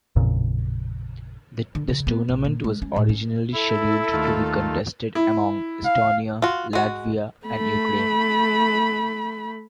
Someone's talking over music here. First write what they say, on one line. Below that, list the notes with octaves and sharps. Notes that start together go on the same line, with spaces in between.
This tournament was originally scheduled to be contested among Estonia, Latvia and Ukraine.
A1 F2 A#2 C#3
D3
C#3
B3
A#1
A#2
G#3
C#4
A2
C#4
E4 A4
D#2 A3 F4
E4
F5
F4 F#4
G#3 F#4
A3 B5